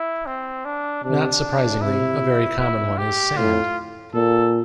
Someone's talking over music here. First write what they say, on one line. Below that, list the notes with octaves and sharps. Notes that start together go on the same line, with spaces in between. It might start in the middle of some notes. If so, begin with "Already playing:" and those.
Not surprisingly, a very common one is sand.
Already playing: E4
C4
D4
C3 D4
C3 E4
E4
G4
A2 F4
A#2 A4